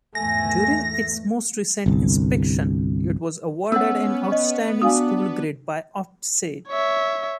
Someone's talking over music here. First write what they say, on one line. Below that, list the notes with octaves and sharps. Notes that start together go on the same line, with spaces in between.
During its most recent inspection it was awarded an Outstanding school grade by Ofsted.
E2 G#2 A3 G#5 A#6
G1 C2
B3 C#4 F#5 E6
D#5 C#6
D4 F#4 F5 G#5 D#6
C#5 E5